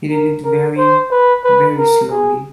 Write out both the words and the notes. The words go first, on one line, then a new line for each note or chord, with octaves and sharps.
He did it very, very slowly.
A#4
A#4
C5
B4
B4
A#4
G#4